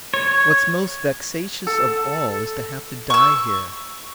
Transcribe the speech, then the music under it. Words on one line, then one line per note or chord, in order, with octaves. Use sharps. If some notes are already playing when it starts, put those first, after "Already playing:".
What's most vexatious of all is to have to die here.
C#5
A4
C#6 E6